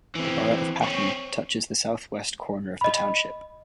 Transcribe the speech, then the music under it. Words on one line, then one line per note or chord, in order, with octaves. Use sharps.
The borough of Patton touches the southwest corner of the township.
E3 C4
C4 C#5
D#5 B5